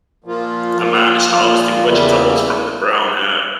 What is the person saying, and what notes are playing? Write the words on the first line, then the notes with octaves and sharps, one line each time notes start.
A man is harvesting vegetables from the brown earth.
A#2 F3 A#3 F4
A#2 F3 A#3 F4
A#2 F3 A#3 F4
E2 C#3 G3 A#3 E4